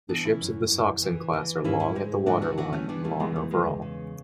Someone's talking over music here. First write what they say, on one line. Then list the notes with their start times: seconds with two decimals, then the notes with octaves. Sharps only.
The ships of the "Sachsen" class are long at the waterline and long overall.
0.09 E3 B3 D4
0.25 C#4 E4
0.41 F#2
0.71 F#2
1.02 E3
1.33 E3
1.64 G#2 C#4 E4
1.80 C#4 E4
1.95 G#2 G#3
2.26 E3 D4 F#4
2.42 D4 F#4
2.58 E3 D4 F#4
2.73 A3 C#4
2.89 E3 B3 D4
3.04 A3 C#4
3.20 E2 G#3 B3
3.36 A3
3.51 E2 G#3
3.82 C#3